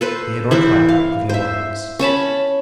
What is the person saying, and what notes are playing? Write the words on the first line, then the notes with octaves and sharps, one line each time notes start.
Theodore Clapp, of New Orleans.
A4 B4 C5
E3 E4 C5
F5
C5 E5
C#4 C#5 A5 B5